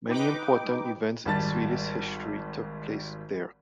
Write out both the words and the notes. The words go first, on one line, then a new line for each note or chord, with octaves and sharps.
Many important events in Swedish history took place there.
D#4 B4 G5 D6
G#1 G3 A5 A6